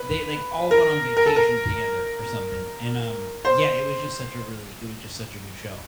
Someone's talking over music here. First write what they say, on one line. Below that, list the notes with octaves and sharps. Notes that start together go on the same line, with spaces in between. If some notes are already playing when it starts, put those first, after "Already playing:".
they, like, all went on vacation together or something, and, um, yeah, it was just such a really it was just such a good show.
Already playing: B4
A#4
A#4
A4
A#4
C5